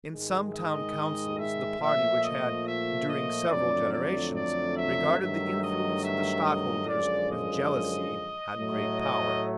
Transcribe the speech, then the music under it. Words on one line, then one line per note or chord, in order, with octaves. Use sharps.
In some town councils the party which had, during several generations, regarded the influence of the Stadtholders with jealousy had great power.
G#2 D#3 G#3
D#5
E5
A#2 F3 A3 E5
D#5
E5
D#5
F2 D3 F#3 A3 D5
D5
D5
E5
G2 D#3 F#3 A3 E5
D#5
E5
D#5
F#2 D3 F3 G#3 D5
D#5
A2 F#3 A3
D#5